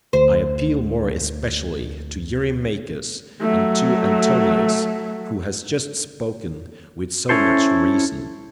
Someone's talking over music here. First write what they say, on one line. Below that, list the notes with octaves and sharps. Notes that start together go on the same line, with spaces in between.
I appeal more especially to Eurymachus, and to Antinous who has just spoken with so much reason.
D2 C5
F#3 A3
C#4 E4 A4 C5